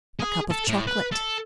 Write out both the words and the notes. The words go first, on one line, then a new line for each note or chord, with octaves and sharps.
"A cup of chocolate."
G#4
A4
A2
B4
A4